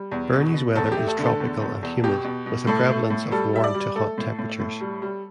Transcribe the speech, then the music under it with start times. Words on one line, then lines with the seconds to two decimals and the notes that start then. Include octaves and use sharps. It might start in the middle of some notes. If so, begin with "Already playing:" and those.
Beni's weather is tropical and humid, with a prevalence of warm to hot temperatures.
Already playing: G3
0.12 E2
0.33 B2
0.54 B2
0.75 E2 A4
0.92 G4
0.97 A3
1.07 A4
1.19 D3
1.24 A4
1.40 E2
1.61 E2
1.83 E2
2.04 B2 G4
2.24 B2
2.46 B2
2.67 A2 A4
2.89 A3
3.10 A2
3.31 G3 A4
3.53 G3 E5
3.64 D5
3.75 G3
3.95 A3 A4
4.18 A2
4.39 A2
4.60 A2
4.81 G3
5.02 G3